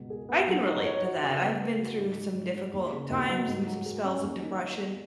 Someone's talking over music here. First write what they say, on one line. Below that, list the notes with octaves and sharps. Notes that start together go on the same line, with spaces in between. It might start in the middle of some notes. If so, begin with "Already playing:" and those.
I can relate to that. I've been through some difficult times and some spells of depression,
Already playing: C#2 B2
G#4
B3
F#3
D#4
C#5
F#4
C#3
B3
B4
F#4
G#2
D#3
G#2
F#3
D#2
C#3
D#2
F#3
G#2
F#3
G#4
C#4
D#2
D#3
D#4
B3